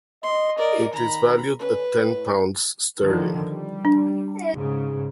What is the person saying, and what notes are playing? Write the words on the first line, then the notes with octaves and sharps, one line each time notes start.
It is valued at ten pounds sterling.
D#5 C6
A#4 D5
D#3 A#5 B5
D3 C#4 B4
A2
D3 D#3 F3
G3
D4
G#2 C#3